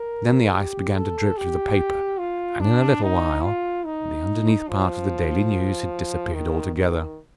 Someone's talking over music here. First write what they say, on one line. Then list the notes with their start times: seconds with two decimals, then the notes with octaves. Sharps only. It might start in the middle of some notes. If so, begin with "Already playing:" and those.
Then the ice began to drip through the paper, and in a little while, the underneath part of "The Daily News" had disappeared altogether.
Already playing: A#4
0.54 G4
0.96 A4
1.37 G4
2.19 F4
2.60 D4
3.03 D#4
3.44 F4
3.86 D#4
4.68 F3
6.34 D#3
6.74 D#3